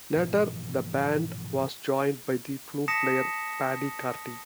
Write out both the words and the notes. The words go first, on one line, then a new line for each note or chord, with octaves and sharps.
Later the band was joined by the flute player Paddy Carty.
G#2 B2 E3 F3
A5 D#6 A#6 B6 C#7 E7